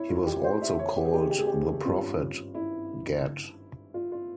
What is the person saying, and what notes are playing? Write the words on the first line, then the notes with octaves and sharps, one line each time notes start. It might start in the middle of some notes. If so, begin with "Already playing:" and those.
He was also called the Prophet Gad.
Already playing: E4 C#5
F4
G4
C5
E5
C#5
G4
G#4
G4
G#4
G4
G#4
G4
G#1 G2 G3 C#4 F4
E4
F4
F4